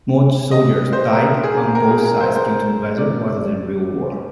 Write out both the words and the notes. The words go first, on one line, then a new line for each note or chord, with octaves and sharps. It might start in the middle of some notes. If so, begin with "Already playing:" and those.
More soldiers died on both sides due to weather, rather than real war.
D#5
C5
A#4
G#4
A#4
G#4
A#4
C5
C5
D5